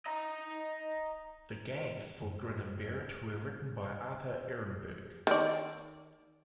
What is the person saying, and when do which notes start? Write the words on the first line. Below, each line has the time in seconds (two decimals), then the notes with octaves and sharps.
The "gags" for Grin and Bear It were written by Arthur Erenberg.
0.06 D#5 A#5
2.21 F#2
5.27 D#3 D5